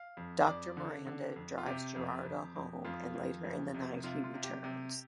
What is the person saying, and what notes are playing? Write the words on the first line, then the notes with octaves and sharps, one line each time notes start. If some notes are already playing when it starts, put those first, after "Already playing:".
Doctor Miranda drives Gerardo home and later in the night he returns.
Already playing: F5
F2
F2 D5
D3
D3
F2
F4
C3 G4
F2
F2
F2
F2 F4
F2
F2
C3
C3 F4
F4
C3
G4
C3